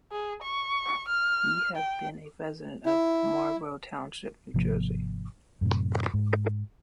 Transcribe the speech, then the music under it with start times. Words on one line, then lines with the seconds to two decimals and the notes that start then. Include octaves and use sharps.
He has been a resident of Marlboro Township, New Jersey.
0.11 G#4
0.42 C#6
1.08 F6
1.76 G5
2.86 E4
4.54 G#1 C3 F3 A#3
5.61 F#2 A2 C3
6.14 G#2